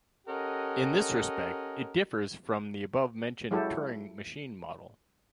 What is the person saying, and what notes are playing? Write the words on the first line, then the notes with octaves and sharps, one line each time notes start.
In this respect, it differs from the above-mentioned Turing machine model.
C#4 G4 A4 A#4 D#5 F#5
F#3 G#3 E4 G4 A4